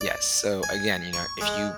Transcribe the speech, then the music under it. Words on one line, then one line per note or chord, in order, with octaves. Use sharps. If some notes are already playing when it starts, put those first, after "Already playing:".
Yes. So, again, you know, if you
D5
G#5
C#6
G#3